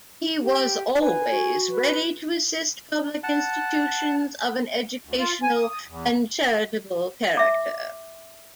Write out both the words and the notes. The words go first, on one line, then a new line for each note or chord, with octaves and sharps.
He was always ready to assist public institutions of an educational and charitable character.
G4
B4 G#5
F#4
B4
F#5 A5
D2
F4
G#5
D#6
E2
E5 D6